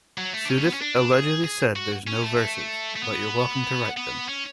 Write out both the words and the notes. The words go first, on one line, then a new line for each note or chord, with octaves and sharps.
Sudduth allegedly said There's no verses, but you're welcome to write them.
F#3
A3
D4
C#4
A3
B3
C#4
D4
D4
G#4
G#4
F#4
C#4
A3
A3
B3
B3
C#4